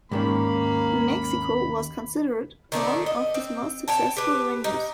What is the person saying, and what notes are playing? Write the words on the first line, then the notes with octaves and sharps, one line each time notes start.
Mexico was considered one of his most successful venues.
D#2 G#2 D#3 A#3 C#4 B5
D#3 A3 C4 D4
D#5
C4
C#5 G5 A5
G4 B4
D#4